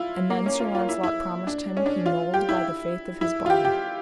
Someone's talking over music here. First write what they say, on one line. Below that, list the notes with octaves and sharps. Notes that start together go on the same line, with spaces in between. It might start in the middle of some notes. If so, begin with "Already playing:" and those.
And then Sir Launcelot promised him he nold, by the faith of his body.
Already playing: E4 F4
A#3
C#4
F4
F4
E4
E4
D4
C#4
D4
F4
G4
E4
E4
F4
G4
G4